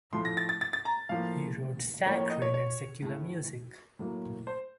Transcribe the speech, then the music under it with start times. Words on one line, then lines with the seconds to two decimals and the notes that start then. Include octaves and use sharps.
He wrote sacred and secular music.
0.13 A2 F3 A3 C6
0.25 A#6
0.37 A6
0.49 A6
0.61 A6
0.73 A6
0.85 A#5
1.09 A2 F3 A#3 F5
2.06 A2 F3 A#3 C#5
2.18 C#5
2.30 D#5
2.42 C#5
2.54 C#5
3.02 A2 A3
3.99 A2 F#3 A#3
4.47 C5